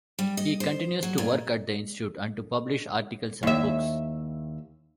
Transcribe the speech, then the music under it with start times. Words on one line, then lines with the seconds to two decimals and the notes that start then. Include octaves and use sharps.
He continues to work at the Institute, and to publish articles and books.
0.19 G3
0.37 D#5
0.60 C5
1.03 F#3
1.18 A#2
3.43 D#2 E5